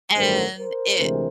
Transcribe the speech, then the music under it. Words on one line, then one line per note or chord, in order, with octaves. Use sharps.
and it
A1 G2 D#3 F#3 A3 A#4 C5
A#4 C5
D2 C3 E3 G#3